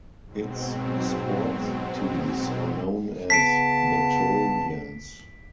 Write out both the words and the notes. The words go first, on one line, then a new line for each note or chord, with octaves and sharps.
Its sports teams are known as the Trojans.
G#2 B2 F#3 C4
C#3 B3 A5 B6 C7 D7